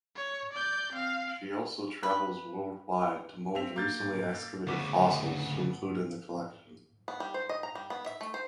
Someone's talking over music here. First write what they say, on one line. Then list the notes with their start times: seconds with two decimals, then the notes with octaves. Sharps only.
She also travels worldwide to mold recently excavated fossils to include in the collection.
0.16 C#5
0.52 D5 G6
0.92 C4 F5
2.03 B4
3.55 C4 E5 F7
3.76 A#3 G6 A6
4.67 D2 C#3 B3 D6 B6
7.08 B3
7.20 G3
7.34 C5
7.49 D#5
7.63 A#5
7.75 G3
7.90 B3
8.06 E5
8.21 A3
8.34 C5